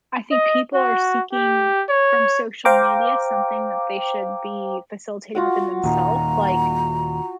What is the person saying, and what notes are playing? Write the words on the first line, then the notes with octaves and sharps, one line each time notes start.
I think people are seeking from social media something that they should be facilitating within them self, like
D#5
F#4
G4
C#5
C5 F5 G5 A#5 D6
F4 F#4 F#5
D#2 A#2 D#3 A#5